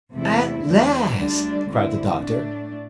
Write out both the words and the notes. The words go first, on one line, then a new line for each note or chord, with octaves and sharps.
"At last!" cried the Doctor.
E2 C3 A3 E4
E2 D3 A3
D2 D3 G3 D4
D2 D3 C4 E4
A2 A3 D4